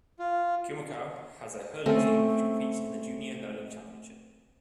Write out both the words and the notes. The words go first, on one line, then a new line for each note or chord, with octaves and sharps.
Kilmacow has a hurling team which competes in the Junior Hurling Championship.
F4
A3 C4 C#4 A4